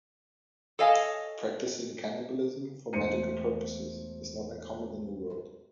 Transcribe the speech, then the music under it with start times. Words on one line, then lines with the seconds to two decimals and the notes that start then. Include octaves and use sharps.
Practising cannibalism for medical purposes is not uncommon in the world.
0.79 A4 C#5 D#5 F5 G#5
2.93 E1 A3 C5 C#7 D#7